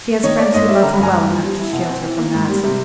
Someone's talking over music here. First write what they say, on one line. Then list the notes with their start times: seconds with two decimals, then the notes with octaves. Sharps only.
"She has friends who love her well enough to shield her from that."
0.24 D#3 C#5 D#5
0.38 A#3 D5
0.54 G#2 C#5 D#5
0.68 G3 D5 E5
0.83 D3 A#5
0.94 B5
0.98 G2 G#5 A#5
1.13 G2
1.29 F3
1.44 G3
1.59 E4
1.73 B2
1.89 C4
2.03 E3
2.18 A#3
2.34 G#2
2.49 G3
2.64 C3